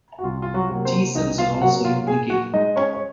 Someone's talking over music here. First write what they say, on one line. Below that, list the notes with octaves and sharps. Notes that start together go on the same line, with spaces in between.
T cells are also implicated.
F#4
C2 F4
F4
F#3 F#4
C3 F#3 A#3
C4 C5
C2 D#4 D#5
F4 F5
C3 F#3 A#3 F#4 F#5
F4 F5
A#2 G#4 G#5
F#4 F#5
G#3 D#4 D#5
C#4 C#5
C#5